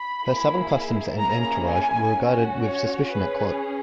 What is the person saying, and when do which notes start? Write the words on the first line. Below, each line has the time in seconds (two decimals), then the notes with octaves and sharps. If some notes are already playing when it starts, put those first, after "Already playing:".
Her southern customs and entourage were regarded with suspicion at court.
Already playing: B5
0.24 A#3 E4 G#4
1.19 A#3 C#4 E4 G#4 A#5
1.68 G#5
2.14 C#4 F#4
2.63 C#5
3.11 C#4 G#4 B4